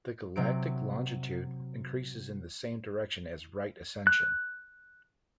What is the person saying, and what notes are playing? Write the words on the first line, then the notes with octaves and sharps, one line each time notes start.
The galactic longitude increases in the same direction as right ascension.
C3 F#3 D7
F#6